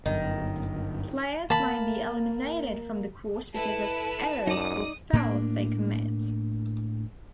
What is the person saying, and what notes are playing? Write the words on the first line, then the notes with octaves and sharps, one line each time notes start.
Players may be eliminated from the court because of errors or fouls they commit.
G1 F#2 D#3
A#3 A5 B5
E4 A4 B4 A5
F#2 D#4 D5 D#6
A2 A#3 D4